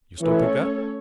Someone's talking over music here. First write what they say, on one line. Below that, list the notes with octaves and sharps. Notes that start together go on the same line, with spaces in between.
You still think that?
E3 A3 C#4 A4 C#5